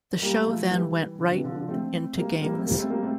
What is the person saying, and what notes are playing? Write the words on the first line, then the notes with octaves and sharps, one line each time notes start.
The show then went right into games.
G3 A#3
F3 A3
E3 G3
D3
C3 E3
D3 F3
D3 F3
A3 C4
G3 A#3
G3 A#3
A3 C4
G3 A#3
A3 C4
G3 A#3
A3 C4